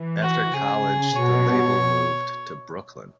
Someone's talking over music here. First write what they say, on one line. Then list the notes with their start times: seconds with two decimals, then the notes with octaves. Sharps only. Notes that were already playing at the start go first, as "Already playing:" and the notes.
After college the label moved to Brooklyn.
Already playing: E3
0.22 F#4
0.53 C#3 G#4
1.16 B2 C#5